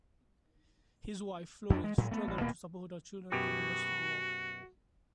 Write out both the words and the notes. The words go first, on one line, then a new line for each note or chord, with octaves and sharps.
His wife Florence struggled to support her children through domestic work.
F2 F#3 D4
G#3
A2 F#3 G#3
A3 B3
A1
D#1 B2 A#3 B3
F#2 B2 F#4 G4